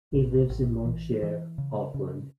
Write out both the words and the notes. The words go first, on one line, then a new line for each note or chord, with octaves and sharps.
He lives in Mangere, Auckland.
A1
A1
E3
E3
C#3
C#3